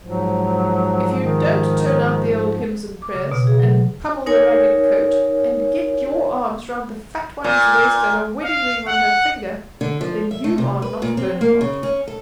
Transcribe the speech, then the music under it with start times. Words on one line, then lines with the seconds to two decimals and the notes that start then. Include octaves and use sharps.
If you don't turn out the old Hymns-and-prayers, and pummel the Ragged coat, and get your arms round the fat one's waist and a wedding-ring on her finger, then you are not Bonaparte.
0.02 G#2 F3 F#3
1.21 D#3
3.02 D6
3.15 C#3
3.32 B2
3.47 G#4
3.60 F#3
4.26 D#4 A#4 C#5 G#5
7.44 A#2
8.44 F5
8.88 F#5
9.81 D3
10.01 F3
10.31 E5
10.44 A3
10.58 C3
10.82 B4
11.02 A#2
11.17 C4
11.41 A#3
11.61 C#3
11.83 C#4
12.07 A4